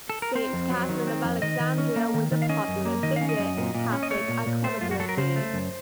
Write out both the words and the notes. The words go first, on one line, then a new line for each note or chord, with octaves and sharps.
Saint Catherine of Alexandria was a popular figure in Catholic iconography.
A4
A#4
C4 C5
F2
F#3
D#3
C4
F2
D#3 D#5
D#3
C#4
A#3
D#3
D#3
F5
C#4 D#5
F#2
A#3
D#3 D#5
C#4 F5
D#5
F#2
A#2
A#2
C#4
D#5
A3 C#5
A#2
A#2
A3 C5
F#2 F4
F#4
F#3 A4
A#4
C#3 C5
A3
F#2